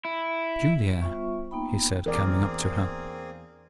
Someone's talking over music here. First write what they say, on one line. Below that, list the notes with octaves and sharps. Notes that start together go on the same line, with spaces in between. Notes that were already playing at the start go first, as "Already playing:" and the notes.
"Julia," he said, coming up to her.
E4
G3 B3 F4 C5 E5 C#6
A#3 B3 D#4 G5 B5
E2 A#3 C4 G#4 A#4 D5